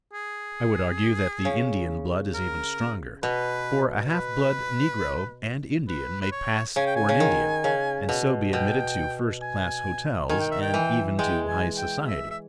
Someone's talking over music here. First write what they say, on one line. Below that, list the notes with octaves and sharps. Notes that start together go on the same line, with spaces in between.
I would argue that the Indian blood is even stronger, for a half-blood negro and Indian may pass for an Indian, and so be admitted to first-class hotels and even to high society.
G#4
C#3
A#4
B2 B4
B4
B4
B4
C#5
C#3 G#5
G5
G#5
C#3
D#3
C#3
B2
B2 G5
G#5
D#3 G#5
G5
E5
G5
E3
G#3 G5
G#5
G5
E5
E5